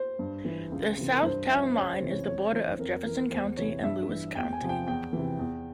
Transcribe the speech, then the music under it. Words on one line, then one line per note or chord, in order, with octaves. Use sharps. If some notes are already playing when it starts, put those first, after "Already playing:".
The south town line is the border of Jefferson County and Lewis County.
Already playing: C5
G2
E3
C#2
C3 E3
A#4
G2 C5
F3 E5
C5
C#2 C#5
C5
C3 E3
C#5
F2 C#5
E3 C5
F2 A#4
E3 A#4
E2 C5
C3 E3 C#5
G2 E5
E3
E2 G5
G#5
C3 F3
G5
E2 G5
C3 E3
E2